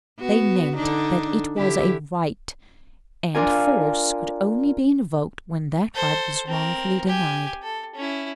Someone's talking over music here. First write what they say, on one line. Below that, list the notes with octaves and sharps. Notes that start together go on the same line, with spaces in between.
They meant that it was a right; and force could only be invoked when that right was wrongfully denied.
B3 F#4
D3 D4 D#4
D3 E4 G4
D4 F4 A#4 G#5
A4 C5
C4 A#4
G4 G#5
A4
C#4 E4